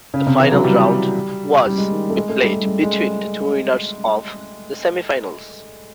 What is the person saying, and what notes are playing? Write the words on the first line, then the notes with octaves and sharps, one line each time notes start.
The final round was be played between the two winners of the semifinals.
C#3
C3
E3
F#3
G3
G3
G#3
D#3
A3
G#3
A3
G3
G3
G#3
G#3